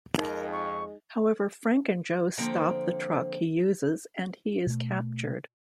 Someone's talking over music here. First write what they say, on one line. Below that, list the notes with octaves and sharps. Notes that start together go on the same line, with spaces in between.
However, Frank and Joe stop the truck he uses and he is captured.
F2 G#3 D#4 A#4
C#6
D3 F3 A#3 C4 G5 A#5
B2 A3